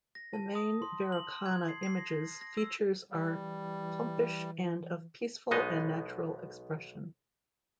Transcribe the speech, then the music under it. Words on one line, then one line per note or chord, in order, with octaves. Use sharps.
The main Vairocana image's features are plumpish and of peaceful and natural expression.
A#6
A5
D#6
C6
F#7
G#6
C7
C7
A#6
A#6
E6
E3 G3
B1 B2 G#3 B3 D#4 D#5